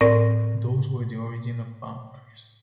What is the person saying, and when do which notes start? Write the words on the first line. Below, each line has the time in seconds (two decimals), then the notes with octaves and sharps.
Those were the origin of vampires.
0.01 A2 C4 A#4 D5 A#6